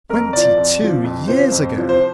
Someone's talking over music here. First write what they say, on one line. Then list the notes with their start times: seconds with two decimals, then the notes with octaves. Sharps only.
Twenty-two years ago!
0.09 F2 A#4
0.33 C3 F3 D5
0.57 F2
0.81 C3 F3
1.04 F2
1.28 C3 F3 C5
1.52 F2
1.76 C3 F3
1.89 C5